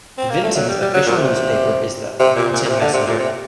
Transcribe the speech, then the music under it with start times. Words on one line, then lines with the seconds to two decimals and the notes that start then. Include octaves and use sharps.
Vinton's official newspaper is the "Vinton Messenger".
0.18 C4
0.30 A#3
0.44 A3
0.55 F#3
0.69 G3
0.81 G3
0.94 F#3
1.06 A#2
1.18 C3
2.19 C3
2.36 A#2
2.53 A#2
2.65 A#2
2.68 C3
2.81 D3
2.94 C3
3.07 A#2
3.19 C3